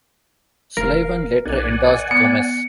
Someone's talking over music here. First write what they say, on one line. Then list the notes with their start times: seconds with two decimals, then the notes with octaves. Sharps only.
Sullivan later endorsed Gomez.
0.77 F1 A#4 F5
1.46 B1 D5 F#5 G#5
2.11 B3 C#7